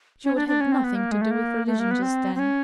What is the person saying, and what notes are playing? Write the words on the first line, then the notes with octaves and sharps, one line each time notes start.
She would have nothing to do with religion just then.
C#4
D4
D4
C#4
C4
B3
A#3
G#3
A3
A#3
A3
A#3
B3
C4
C4
C#4